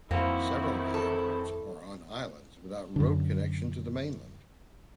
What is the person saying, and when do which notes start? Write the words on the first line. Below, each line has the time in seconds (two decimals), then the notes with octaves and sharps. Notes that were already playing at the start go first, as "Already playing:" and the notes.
Several of the airports are on islands without road connection to the mainland.
0.11 F2 D#3 E3 A#3 C4 E4 F#4 C5
0.94 A4
2.96 F#2 D3